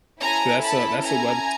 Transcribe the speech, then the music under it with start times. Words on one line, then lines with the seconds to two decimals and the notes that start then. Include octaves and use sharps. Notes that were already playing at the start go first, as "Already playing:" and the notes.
That's a that's a webs
0.21 C#4 E4 A4 G#5 A#5
0.63 A5 B5
1.03 G#5 A#5